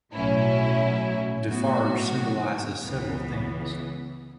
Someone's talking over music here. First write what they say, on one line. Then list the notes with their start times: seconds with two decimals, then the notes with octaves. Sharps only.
Defarge symbolizes several themes.
0.14 B1 A2 F#3 C#4 E4
1.47 A2 F#3 B3 F#4
2.81 C#2 C#3 E3 B3